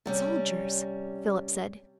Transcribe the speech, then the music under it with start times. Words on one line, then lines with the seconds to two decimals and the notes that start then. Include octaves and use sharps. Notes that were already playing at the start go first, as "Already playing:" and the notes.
"Soldiers!" Philip said.
0.06 C3 G3 C#4